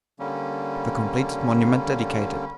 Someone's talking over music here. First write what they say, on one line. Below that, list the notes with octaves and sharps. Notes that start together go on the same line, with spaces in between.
The completed monument dedicated.
D3 G3 A#3 C#4